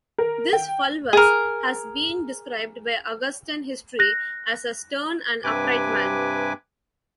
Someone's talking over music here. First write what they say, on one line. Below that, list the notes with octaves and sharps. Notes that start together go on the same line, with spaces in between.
This Fulvus has been described by Augustan History as a "stern and upright man".
A#4
G5
G#4 A#4
F#6 A#6
G2 C3 B4 G#5 D6